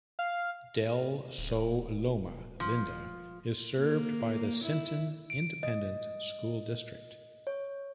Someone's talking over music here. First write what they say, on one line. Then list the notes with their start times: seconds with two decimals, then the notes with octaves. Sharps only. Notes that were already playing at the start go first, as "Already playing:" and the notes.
Del Sol-Loma Linda is served by the Sinton Independent School District.
0.19 F5
1.38 D1
2.60 F3
3.78 A#3
4.65 E4
5.30 D7
5.63 D#5
7.47 C#5